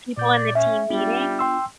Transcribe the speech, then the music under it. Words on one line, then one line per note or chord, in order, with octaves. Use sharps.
people in the team meeting?
A#2 D5 G6
C#4 E5
G3 B3 D4 F4
G5 C6 E6